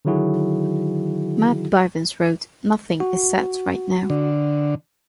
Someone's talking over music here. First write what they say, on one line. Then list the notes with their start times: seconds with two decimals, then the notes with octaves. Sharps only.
Matt Bivins wrote, Nothing is set right now.
0.05 D3 D#3 F#3 E4 F#4 G#4
3.00 F#4
4.10 D3